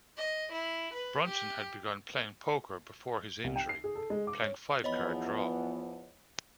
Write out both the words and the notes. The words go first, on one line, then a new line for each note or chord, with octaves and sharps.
Brunson had begun playing poker before his injury, playing five-card draw.
D#5
E4
B4
G4
C2
G5
C7
G#4
A4
G#3
D6
C#5
E2 F3 B3 C#5 D#5 B5